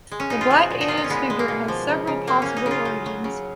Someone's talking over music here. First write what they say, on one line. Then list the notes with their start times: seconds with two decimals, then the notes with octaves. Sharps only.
The Black Annis figure has several possible origins.
0.12 G#3
0.20 C#4
0.30 B2 D#4
0.41 F4
0.50 F3 F#4
0.71 A#2
0.81 D#4
0.88 A#2 F4
0.97 D#4
1.04 C#4
1.10 G#3 B3
1.30 G#3
1.39 A#3
1.48 B2
1.68 F3
1.88 C#3
2.07 C#3
2.27 F#3 A#3
2.42 F#3 C#4
2.57 D#4
2.66 C#3 F4
2.85 F#3
3.06 F#3
3.24 C#3